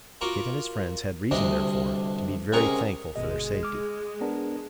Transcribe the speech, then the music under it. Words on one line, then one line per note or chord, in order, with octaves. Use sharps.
Kit and his friends had reason, therefore, to be very thankful for their safety.
F4 F#4 A#4 D6
D2 G2 C3 D4 D#5
C#2 C3 G#4 A#4 A#5 C#6
G1 B2 G#3 D#5
D6 F6
B3 D4 A#4